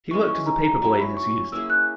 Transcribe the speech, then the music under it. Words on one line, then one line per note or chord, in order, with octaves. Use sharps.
He worked as a paperboy in his youth.
E3 G#3 C#4 C#6
C#6
A#5
A#5
F#3 C#4 E4 A#5
B5
C#6
A#3 C#4 E4 G#4 E6
F#6